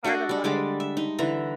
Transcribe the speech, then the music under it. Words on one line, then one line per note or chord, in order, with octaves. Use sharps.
part of life.
D4 F#4 A4 D#5
G3 D4
D3 G3 G#3 D6
E5
D#4
D3 E3 E5 A#5